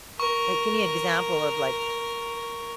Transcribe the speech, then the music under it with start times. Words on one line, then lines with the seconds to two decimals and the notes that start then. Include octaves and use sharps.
Like, give me an example of, like, s
0.20 A#4 C#6